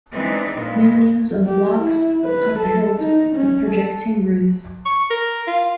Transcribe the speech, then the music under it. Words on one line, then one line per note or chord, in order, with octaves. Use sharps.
Millions of logs upheld a projecting roof.
E3 G#3 B3 C4 D4 D#4
A#2 G#3 B3
G4
E4
B4
A4
D#4
C#4
A4
C#6
A#4
F4